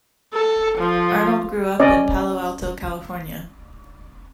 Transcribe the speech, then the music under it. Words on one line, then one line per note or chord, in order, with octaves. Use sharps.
Arnold grew up in Palo Alto, California.
A4
F3
C#4 D5 D#5